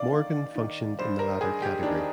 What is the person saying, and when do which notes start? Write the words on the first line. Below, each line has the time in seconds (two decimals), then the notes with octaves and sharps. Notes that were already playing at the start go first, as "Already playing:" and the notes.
Morgan functioned in the latter category.
Already playing: D#3 D5 F5
0.13 D#3
0.56 D#3
0.99 G2 C5
1.19 A#4
1.41 G2 G#4
1.62 G4
1.83 D#3 D4